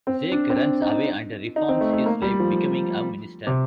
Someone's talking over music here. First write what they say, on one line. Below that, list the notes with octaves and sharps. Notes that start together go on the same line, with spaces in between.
Zeke runs away and reforms his life, becoming a minister.
C4
D4
C4
D4
D#4
D#4
C4
A3
A3
A#3
G3
F3
C3